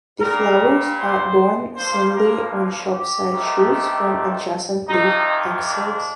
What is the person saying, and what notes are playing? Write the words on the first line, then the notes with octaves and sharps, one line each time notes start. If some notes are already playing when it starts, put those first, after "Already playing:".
The flowers are borne singly on short side shoots from adjacent leaf axils.
A#2 G3 A#3 A#4
C5
G2 F3 A#3 C5
A#4
G4
F2 D#3 A3 C4
F2 C3 D#3 D#4
D4